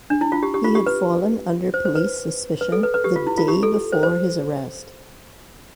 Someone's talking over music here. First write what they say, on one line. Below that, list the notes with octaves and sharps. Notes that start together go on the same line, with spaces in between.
He had fallen under police suspicion the day before his arrest.
D4
E4
F4
G4
G4
F4
G4
B4
C5
C5
B4
B4
A4
B4
B4
G4
F4
E4
F4
G4
A4
C5
C5